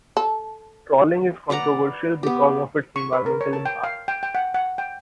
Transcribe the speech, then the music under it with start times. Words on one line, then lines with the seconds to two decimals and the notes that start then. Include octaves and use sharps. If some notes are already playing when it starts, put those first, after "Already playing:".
Trawling is controversial because of its environmental impacts.
0.17 A4
1.50 B4 D5 F#5 A#5
2.23 B3 G4
2.96 C#6
3.13 B4
3.26 A#4
3.41 C#5
3.53 A5
3.66 G5
3.84 F5
4.08 G5
4.23 G5
4.35 F#5
4.55 F#5
4.78 G5